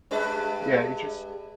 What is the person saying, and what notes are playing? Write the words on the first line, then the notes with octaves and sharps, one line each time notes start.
Yeah, you just
G2 G#3 B4